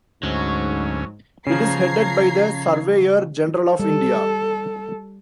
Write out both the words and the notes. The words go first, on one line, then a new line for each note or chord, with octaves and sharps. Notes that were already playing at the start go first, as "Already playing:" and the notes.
It is headed by the Surveyor General of India.
D2 G#2 F#3 C#4
C#3 F3 C#4 A#5 G#6 C7
G3 A4